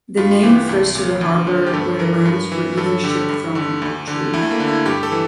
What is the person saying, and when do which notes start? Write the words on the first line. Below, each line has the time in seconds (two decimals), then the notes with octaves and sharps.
The name refers to a harbour where lambs were either shipped from or to.
0.17 G2 F4
0.31 F4
0.43 E3 G4
0.69 C2
0.95 A#2
1.21 D2
1.47 D3
1.66 G4
1.73 G2 A4
1.99 E3 A#4
2.25 G2
2.52 E3
2.77 G2 A4
3.03 D3 G4
3.29 G2
3.55 D3
3.82 D2
4.07 D3
4.33 D2 E4
4.43 A3
4.51 A#3
4.60 D3
4.69 E4
4.86 G2 G4
5.03 A4
5.12 E3